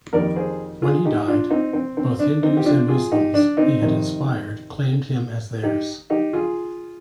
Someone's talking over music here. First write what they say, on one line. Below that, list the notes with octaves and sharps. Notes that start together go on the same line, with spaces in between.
When he died, both Hindus and Muslims he had inspired claimed him as theirs.
F2 D#3 G3 A#3 A#4 D5
G#4 C5
F4 G#4
D#4 G4
D4 F4
C4 D#4
C4
C4
D4
C4 D#4
G4
D4 F4
F4 G#4
D#4 G4
D4
C4 D#4
F2 C3 D#3
D#4 G4
D#4 G4
F4 G#4